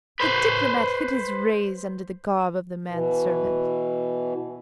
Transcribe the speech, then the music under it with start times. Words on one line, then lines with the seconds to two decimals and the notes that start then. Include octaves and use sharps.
The diplomat hid his rays under the garb of the man-servant.
0.20 B4 C5
2.89 B2 E3